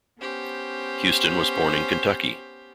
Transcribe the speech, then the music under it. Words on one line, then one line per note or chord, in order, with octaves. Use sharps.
Houston was born in Kentucky.
B3 C#4 G4 C5